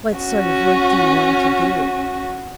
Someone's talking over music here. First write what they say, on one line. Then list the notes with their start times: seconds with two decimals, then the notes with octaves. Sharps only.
"What sort of work do you want to do?"
0.17 C#4 F#4